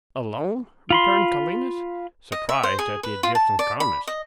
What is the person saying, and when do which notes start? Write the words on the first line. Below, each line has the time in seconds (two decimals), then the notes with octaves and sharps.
'Alone!' returned Calenus, surprised at the Egyptian's calmness.
0.90 F4 B5 C6
2.32 D#5
2.49 E5
2.63 C5
2.79 G#4
3.03 B4
3.23 F4
3.35 A5
3.59 D5
3.80 B5
4.07 D#5